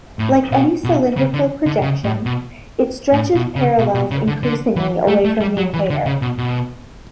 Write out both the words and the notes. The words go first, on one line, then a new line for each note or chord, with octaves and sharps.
Like any cylindrical projection, it stretches parallels increasingly away from the equator.
A2
B2
B2
C#3
D3
D3
C#3
A2
B2
A2
B2
C#3
B2
B2
C#3
D3
D3
E3
A3
A3
G3
F#3
E3
D3
C#3
B2
B2